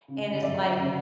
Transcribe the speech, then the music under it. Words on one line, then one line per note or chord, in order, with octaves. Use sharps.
and it's, like,
C#3
G1
F#2 D5 E5
G1
C#3